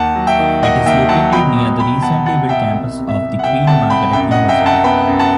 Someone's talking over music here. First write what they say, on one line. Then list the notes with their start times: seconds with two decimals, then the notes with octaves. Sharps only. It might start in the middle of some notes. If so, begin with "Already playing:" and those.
It is located near the recently built campus of the Queen Margaret University.
Already playing: D#2 F#5 A5
0.15 F#3
0.27 E5 G5
0.39 D#3
0.63 D#2 D#5 F#5
0.86 D#2 E5 G5
1.08 F#3 F#5 A5
1.32 B2 G5 B5
1.56 B2
1.79 B2 G5 B5
2.02 B2 F#5 A5
2.26 B2 F#5 A5
2.49 B2 E5 G5
2.72 C2 E5
2.97 C3
3.09 E5
3.19 C2
3.39 F#5
3.44 C2 E5 G5
3.67 C2 F#5 A5
3.90 C2 G5 B5
4.13 F#2 E5 G5
4.31 D#5 F#5
4.36 F#2
4.48 E5 G5
4.60 F#2
4.66 F#5 A5
4.84 B3 G5 B5
5.08 F#2
5.19 F#5 A5